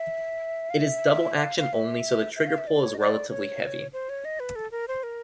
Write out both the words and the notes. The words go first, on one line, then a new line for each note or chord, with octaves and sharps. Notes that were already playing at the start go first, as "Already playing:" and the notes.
It is double action only so the trigger pull is relatively heavy.
Already playing: E5
F5
E5
E5
F5
F5
E5
E5
F5
E5
D5
C#5
D#5
D5
C#5
C5
C#5
D#5
B4
A4
A#4
C5
A#4